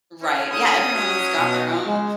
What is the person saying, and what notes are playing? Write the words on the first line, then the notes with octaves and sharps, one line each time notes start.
Right, yeah, everyone's got their own
C#4
D3 D#6
F#3
B2
C#3 G#3